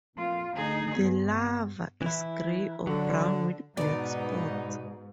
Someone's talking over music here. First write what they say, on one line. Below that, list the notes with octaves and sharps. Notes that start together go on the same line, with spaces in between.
The larva is grey or brown with black spots.
F2 A#2 F4
D2 G#2 D#4 G#4
G2 B3
E3 E4
D3 F#3
G#2 B2 B3 D#4 D5 D#5